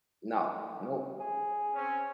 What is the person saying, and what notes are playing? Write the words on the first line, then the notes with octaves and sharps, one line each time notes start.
No, nope.
G#4
C4 C#4